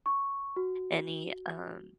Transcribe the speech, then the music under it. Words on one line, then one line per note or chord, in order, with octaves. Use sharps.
any, um,
C#6
F#4